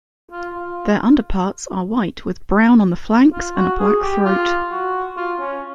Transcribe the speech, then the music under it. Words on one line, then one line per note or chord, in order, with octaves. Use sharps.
Their underparts are white with brown on the flanks and a black throat.
F4
F4
F4
F#4
G#4
G4
F4
F#4
F4
C#4